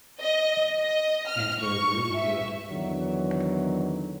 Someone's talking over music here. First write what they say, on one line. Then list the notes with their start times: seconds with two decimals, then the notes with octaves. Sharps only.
And they're really good.
0.20 D#5
0.78 D#5
1.27 F6
1.62 C#6
2.16 E5
2.70 E2 D3 D#3 F#3